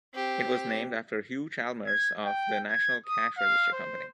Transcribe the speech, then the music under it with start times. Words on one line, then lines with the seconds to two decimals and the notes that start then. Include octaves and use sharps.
It was named after Hugh Chalmers of the National Cash Register Company.
0.14 C4 G4
1.86 G#6
2.25 G5
2.69 G#6
3.06 D#6
3.38 F5
3.72 C5